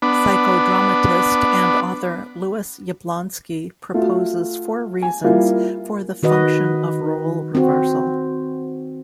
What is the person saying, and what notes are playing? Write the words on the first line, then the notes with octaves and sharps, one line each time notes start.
Psychodramatist and author Lewis Yablonsky proposes four reasons for the function of role reversal.
B3 D4
A3 F4 F#4
G#5
G3 A#3 E4 F4
D#3 F#4 B4 D#5
C4 F#4